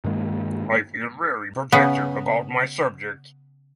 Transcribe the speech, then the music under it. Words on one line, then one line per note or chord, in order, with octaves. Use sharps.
I feel very protective about my subjects.
G2 D#3 G#3 A#3
C#3 B3